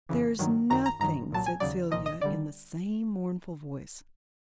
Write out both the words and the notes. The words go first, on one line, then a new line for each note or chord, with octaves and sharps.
"There's nothing," said Celia in the same mournful voice.
F2 C#3 E3
G2 D#3 F#3
F#2 D#3 F#3 A#5
A#5
G2 D#3 F#3 A#5
C2 A#2 F#3 A5
G#5
D#2 C#3 F#3 D5
C2 A#2 F3 D#5
D#5
D3 G3 D5